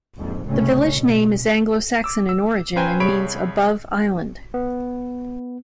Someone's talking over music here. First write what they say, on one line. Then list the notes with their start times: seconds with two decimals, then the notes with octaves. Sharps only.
The village name is Anglo-Saxon in origin and means "above island".
0.17 A#1 F2 G#2
0.46 F#1 C2 A2 C3 A3 C#4
0.91 B2
2.04 D6 E6
2.29 E6
2.76 C#4 B4 C5 G5 G#5 A#5
3.00 C2 G#4 C#5 B5 D7
4.54 B3